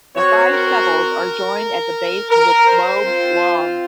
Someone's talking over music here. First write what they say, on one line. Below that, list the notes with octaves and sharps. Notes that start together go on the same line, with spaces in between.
The five sepals are joined at the base with lobes long.
C4 F#4 C#5
A#4
A#4
C5
C4 F4